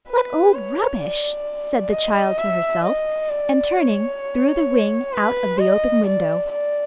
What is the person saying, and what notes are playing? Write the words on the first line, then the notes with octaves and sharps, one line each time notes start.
'What old rubbish,' said the child to herself, and, turning, threw the wing out of the open window.
B4
C#5
D5
D#5
E5
D#5
D5
C#5
B4
D#5
D5
D5